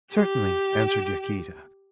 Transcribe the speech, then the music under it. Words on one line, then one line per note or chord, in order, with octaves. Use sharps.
"Certainly," answered Yaquita.
G4